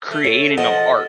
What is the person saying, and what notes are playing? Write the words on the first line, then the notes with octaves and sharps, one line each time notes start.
creating of art
A3
C#5
F3 D#5 F#5